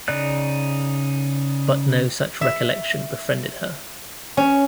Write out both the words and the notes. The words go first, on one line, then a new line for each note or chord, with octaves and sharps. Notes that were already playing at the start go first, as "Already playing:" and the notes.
But no such recollection befriended her.
C#3 D#4 D5 F#6
E5
C#4